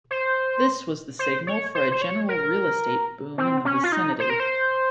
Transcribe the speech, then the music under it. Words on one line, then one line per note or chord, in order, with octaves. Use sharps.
This was the signal for a general real estate boom in the vicinity.
C5
C5
C#5
C5
C5
C#5
A#4
C4
C#4
F4
D#4
C5
A#4
C5